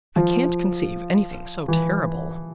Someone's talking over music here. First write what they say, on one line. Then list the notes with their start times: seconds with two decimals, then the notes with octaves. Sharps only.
I can't conceive anything so terrible.
0.16 F3
1.68 E3